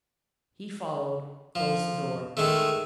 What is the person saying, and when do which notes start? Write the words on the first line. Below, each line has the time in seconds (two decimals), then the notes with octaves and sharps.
He followed, closed the door.
1.55 F3
2.37 D#3 G#3 A3